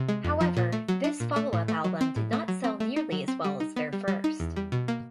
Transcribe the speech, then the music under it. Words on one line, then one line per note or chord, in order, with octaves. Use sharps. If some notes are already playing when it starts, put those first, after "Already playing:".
However, this follow-up album did not sell nearly as well as their first.
Already playing: C3
G#3
F2
F3
A#2
A3
F#3
D4
A#2
A3
A2
A3
F#3
C4
A2
A3
F#3
C4
A3
D#4
F#3
C4
G3
D#4
B3
G3
G3
D#4
E2
G3
B2
A#3